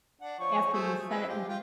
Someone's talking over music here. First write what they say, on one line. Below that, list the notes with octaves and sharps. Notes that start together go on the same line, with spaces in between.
after you've said it, and
D4 F#5
F3 C#5 C#6
A3 G#4 C5
C4 E4 B4
F4 G4
F4 G5